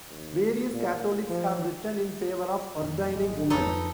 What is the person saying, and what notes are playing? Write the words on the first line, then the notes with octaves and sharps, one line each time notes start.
Various Catholics have written in favor of ordaining women.
D#2
A#2
F3
F2 A#2
G#1 A#2 F#3 G#3
F2 D#4 A4 B4